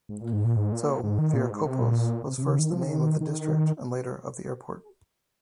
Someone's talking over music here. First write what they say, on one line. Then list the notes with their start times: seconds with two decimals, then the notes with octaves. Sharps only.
So "Viracopos" was first the name of the district and later of the airport.
0.09 G#2
0.21 A#2
0.33 G#2
0.44 A#2
0.57 G#2
0.72 A#2
1.03 G#2
1.19 D#3
1.34 A#2
1.50 G#2
1.65 C3
1.80 A#2
2.27 C3
2.38 C3
2.43 C#3
2.59 D#3
2.71 F3
2.83 D#3
3.21 D#3